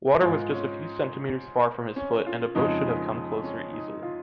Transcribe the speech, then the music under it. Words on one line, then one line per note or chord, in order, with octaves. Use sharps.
Water was just a few centimeters far from his foot and a boat should have come closer easily.
G#2 G#3 F4
C#4
C#4
F4
F2 C#3 F3 G#3 D#4
D#4
C#4
D#4
F4